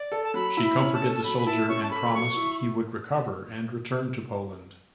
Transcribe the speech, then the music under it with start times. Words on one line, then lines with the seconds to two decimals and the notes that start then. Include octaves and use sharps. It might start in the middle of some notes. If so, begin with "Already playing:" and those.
She comforted the soldier and promised he would recover and return to Poland.
Already playing: D5
0.12 A4
0.24 A5
0.34 F#3 B5
0.57 E4
0.64 B5
0.79 C#4
0.94 A5
1.02 A4
1.15 A5
1.24 F#3 B5
1.38 B5
1.46 E4 A5
1.69 C#4 C#6
1.83 A5
1.91 A4 B5
2.14 F#3 C#6
2.36 E4